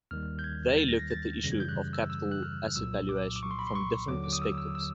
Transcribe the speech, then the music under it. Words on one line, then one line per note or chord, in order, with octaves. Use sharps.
They looked at the issue of capital asset valuation from different perspectives.
D#2 D#3 G3 F6
G6
G#6
A6
A#6
A#6
A6
F#2 C#3 E3 G3 A#6
G#6
G6
F#6
E6
E6
F#6
F6
C2 A#2 F#3 E6
D6
D6
C#6
C6
B5
C6
C#6
D#2 D3 F#3 D6
D6
D#6
E6
E6
E6